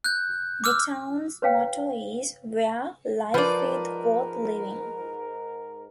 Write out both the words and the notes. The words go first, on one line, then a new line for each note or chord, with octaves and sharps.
The town's motto is Where Life Is Worth Living.
F#6 G6
D6 E6 F6
B4 C#5 F5 G5
G#2 F3 A#4 B4 D5